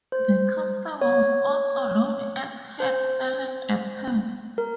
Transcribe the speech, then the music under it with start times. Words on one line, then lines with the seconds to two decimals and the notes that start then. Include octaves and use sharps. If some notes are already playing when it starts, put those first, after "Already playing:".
The custom was also known as "handseling a purse".
0.12 C5
1.01 C#5
2.80 C5
4.58 A#4